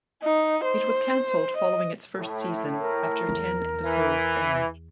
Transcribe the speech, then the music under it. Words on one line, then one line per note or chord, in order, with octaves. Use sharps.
It was cancelled following its first season, after ten episodes aired.
D#4
C5
D#5
A2
A#4
E2
E3